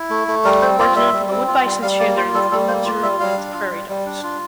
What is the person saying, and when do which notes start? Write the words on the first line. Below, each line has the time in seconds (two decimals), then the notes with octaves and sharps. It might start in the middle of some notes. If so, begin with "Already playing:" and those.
For example, the wood bisons share their enclosure with prairie dogs.
Already playing: E4
0.10 A3
0.28 A3
0.44 G3 A#4
0.61 C4 C5
0.79 F4 D5
0.96 G3 E5
1.13 G3
1.30 C4
1.48 F4
1.65 G3
1.82 G3 F5
1.99 A#3 D5
2.17 F4 C5
2.34 G3 A4
2.51 G3 A4
2.68 A#3 C5
2.86 F4 D5
3.02 G3 E5
3.20 G3 F5
3.37 D4
3.54 F4
3.71 G3
3.89 G3
4.06 D4
4.23 F4